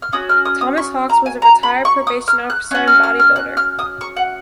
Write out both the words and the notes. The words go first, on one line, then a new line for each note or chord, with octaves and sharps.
Thomas Hawks was a retired probation officer and bodybuilder.
F6
C#4 F#4 D#6
F6
D#6
D#6
C#6
A#5
G#5
A#5
B5
C#6
D#6
F6
F#6
C#4 F#4 F#6
F6
F6
F6
F#6
F6
D#6
C#6
F#5